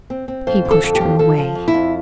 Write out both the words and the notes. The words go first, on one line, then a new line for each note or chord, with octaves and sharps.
He pushed her away.
C4
C4
F2 C5
D3
A4
F2
G4
F3
F3 A4
F3
F2
E4
F2